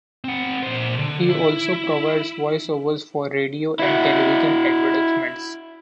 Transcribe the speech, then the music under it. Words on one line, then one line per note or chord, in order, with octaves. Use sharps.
He also provides voice-overs for radio and television advertisements.
C4 F#5
A#2 C5
D3
E4
E4 F#4